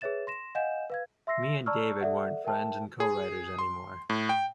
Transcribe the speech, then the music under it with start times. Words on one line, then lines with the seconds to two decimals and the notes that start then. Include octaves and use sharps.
Me and David weren't friends and co-writers anymore.
0.01 G#4 B4 C#5 E5 A6 E7
0.27 C6 A#6 E7
0.55 D#5 F5 F#5 G#5 G6 E7
0.90 B4 F5 G#6
1.27 E5 C6 E6 A#6 C7
1.66 D5 A5 A#5 C#6 E6 F6
2.01 A4 D5 E5 F#5
2.45 A#4 E5 G5 A5
3.00 G#4
3.59 C6
4.10 A2
4.29 G5